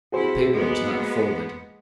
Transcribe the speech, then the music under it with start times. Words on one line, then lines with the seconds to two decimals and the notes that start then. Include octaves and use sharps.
The paper was not folded.
0.12 C3 E4 F#4 G#4 C5
0.53 G#3 A#3 B3